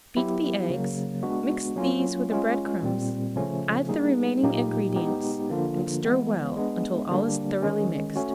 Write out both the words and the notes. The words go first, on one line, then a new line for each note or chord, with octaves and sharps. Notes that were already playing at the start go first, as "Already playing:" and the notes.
Beat the eggs, mix these with the bread crumbs, add the remaining ingredients, and stir well until all is thoroughly mixed.
F#3 B3 E4 G4
C#3 F#3 A#3
G#3 B3 D4 F#4
F#3 A#3 C#4 F4
G#3 C#4 F4
A#2 G3 C4
C#3 F3 A3 C#4
G3 A#3 D#4 G#4
A#2 F#3 A#3 D#4 G4
G#3 B3 D#4 G4
D3 F3 A#3 D4 F4
E3 G#3 B3
G#3 B3 D4
D3 G3 A#3 D4
D#3 G#3 C#4
A3 C#4 F#4